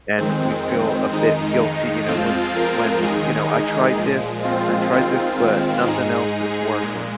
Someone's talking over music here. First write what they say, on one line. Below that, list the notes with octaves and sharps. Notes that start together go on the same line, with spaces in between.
and we feel a bit guilty, you know, when when you know, "I tried this and I tried this, but nothing else is working."
F2 D#3 G#3 C4
F2 D#3 G#3 D#4
D#4
F2 F3 G#3 C4 F4
F4 A#4
D#2 D#3 G#3 D#4 G#4
A#2 F3 G#3
C4 F4
D#2 D#3 G#3 C4 F4
C4 F4
G#2 G#3 D#4 G#4
A#2 G#3